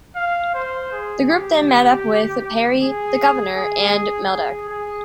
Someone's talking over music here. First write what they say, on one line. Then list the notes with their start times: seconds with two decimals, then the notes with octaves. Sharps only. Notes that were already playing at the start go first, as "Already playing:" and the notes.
The group then meet up with Peri, the Governor, and Meldak.
0.16 F5
0.54 C5
0.92 G#4
1.30 G4
2.80 G#4
3.56 G#4
4.32 G#4
4.69 G#4